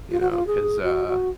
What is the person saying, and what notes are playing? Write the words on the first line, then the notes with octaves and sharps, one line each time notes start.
you know? 'Cause, uh
F4
F#4
F4
G#4
F#4
F#4